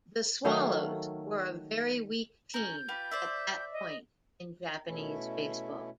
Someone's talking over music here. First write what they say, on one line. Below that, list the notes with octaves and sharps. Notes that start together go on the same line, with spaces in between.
The Swallows were a very weak team at that point in Japanese baseball.
D#3 F#3 A3 F5
C#4 A#4 G6
F4 G4 B4
C5 D5 E5
D#5
B2 A3 C#4 E4